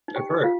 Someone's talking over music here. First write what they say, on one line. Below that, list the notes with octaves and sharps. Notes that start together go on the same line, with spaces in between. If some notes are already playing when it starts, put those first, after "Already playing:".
That's right.
D#4
G4 G5
D#4
F4 F5